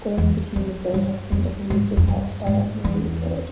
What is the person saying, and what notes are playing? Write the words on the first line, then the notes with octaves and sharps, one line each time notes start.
Dillon became the third husband of the Music Hall star Marie Lloyd.
E2
F2
G2
F2
G#2
F2
G2
G#2
E2